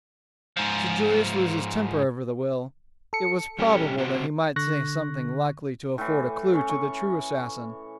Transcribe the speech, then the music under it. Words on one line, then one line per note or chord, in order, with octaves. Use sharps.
Should Julius lose his temper over the will, it was probable that he might say something likely to afford a clue to the true assassin.
G#2 F3
A4 C#7
G3 C#4 G4
C3 C4 F#4
D3 C#6 F#6 A#6
A2 E3
C#4 C#5
C#6